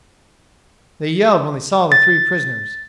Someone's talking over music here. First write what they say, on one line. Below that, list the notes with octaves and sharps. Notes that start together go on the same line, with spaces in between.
They yelled when they saw the three prisoners.
A6